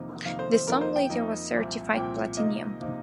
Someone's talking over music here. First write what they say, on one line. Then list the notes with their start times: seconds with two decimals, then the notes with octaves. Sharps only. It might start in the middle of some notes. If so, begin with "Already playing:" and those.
The song later was certified platinum.
Already playing: F2 C3 D#3 A#3 D#4
0.25 F2 C3 D#3 A#3 D#4 F5
0.39 C5
0.53 C5
0.67 F2 F3 A#3 D#4 A#4
0.81 C5
0.96 G5
1.10 F2 F3 A#3 D#4
1.53 C2 A#2 F3 C4
1.95 C2 A#2 F3 C4 G5
2.37 C3 F3 A#3 D#4 D#5
2.80 C3 F3 A#3 D#4